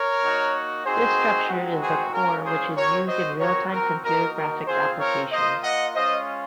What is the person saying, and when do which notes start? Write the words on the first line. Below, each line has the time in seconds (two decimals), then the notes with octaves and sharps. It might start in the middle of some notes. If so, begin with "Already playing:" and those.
This structure is the core which is used in real-time computer graphics applications.
Already playing: A#4 C#5
0.22 A#3 D#4 F#4
0.85 C4 D#4 F#4 G#4 C5
1.49 G#3 C4 D#4 F#4
1.81 G#4 C5
2.13 G#3 C#4 F4 A#4
2.45 G#4 C5
2.76 C4 F#4 A#4 C#5
3.08 C5 D#5
3.40 C4 F#4 A#4 C#5
3.73 A#4
4.04 A#3 D#4 F#4 A#4
4.36 A#4
4.67 C4 F4 G#4 C5
4.99 A#4 C#5
5.31 A#3 F4 C5 D#5
5.63 D#5 F#5
5.95 G#3 C#4 F4 C5 D#5